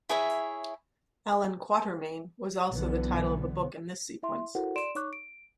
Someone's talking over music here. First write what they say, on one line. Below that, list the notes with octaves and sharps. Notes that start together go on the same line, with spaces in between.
"Allan Quatermain" was also the title of a book in this sequence.
E4 G#4 C#5 E5
B1 D3 E3 B3
E4 E5 C6
E4 F#4 A4 A#4 C5 F#5
D5 C6 D7 E7
D#4 C#5 C#6 D6 F#6
D7